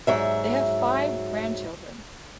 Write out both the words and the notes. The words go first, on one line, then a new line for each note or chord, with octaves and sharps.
They have five grandchildren.
G#2 F#3 E5